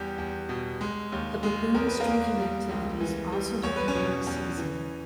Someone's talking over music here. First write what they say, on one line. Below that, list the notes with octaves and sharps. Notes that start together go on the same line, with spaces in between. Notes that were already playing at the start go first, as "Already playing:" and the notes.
The baboons' drinking activities also depend on the season.
Already playing: E2 G3 G4
E2
B2
G#3
D#2
G#3
E2 A#4
B4
A#3 A#4
E2
G3
C#2
E3
G3
E2 C#5
B4
C#4 C#5
B2
E2
E3